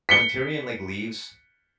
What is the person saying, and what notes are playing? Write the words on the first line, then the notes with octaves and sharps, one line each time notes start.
when Tyrion, like, leaves,
B6 C#7 G7